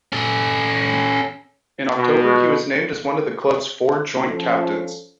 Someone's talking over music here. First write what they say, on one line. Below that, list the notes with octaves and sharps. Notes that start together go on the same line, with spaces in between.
In October, he was named as one of the club's four joint-captains.
C#4 A4
B2
F3 C#4 A4